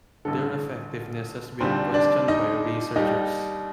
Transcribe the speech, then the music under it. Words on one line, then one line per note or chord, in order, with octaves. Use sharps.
Their effectiveness has been questioned by researchers.
A1 G2 D3 A4
F1 D#2 D3 G3 C4 C5
D4 D5
D#4 D#5
D#2 D#3 G3 D#4 D#5